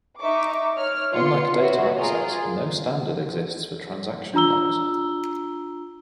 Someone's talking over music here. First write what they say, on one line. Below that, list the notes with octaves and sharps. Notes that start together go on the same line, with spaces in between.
Unlike data access, no standard exists for transaction logs.
D#4 E5 C#6 D6
C#5 F6
B3 F4 C6 C#7
F#4 B4 C#5 E5
F4 G#4 A#4
D4 F4 A#5 E6 G7